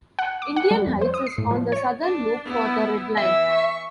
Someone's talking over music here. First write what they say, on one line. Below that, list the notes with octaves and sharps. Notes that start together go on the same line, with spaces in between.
Indian Heights is on the southern loop for the Red Line.
F#5
D6
F#5
G3
F2
C5
D#6
C7
A2
F3
C#5
D4
B3 E4
E3 E4 E5
C#6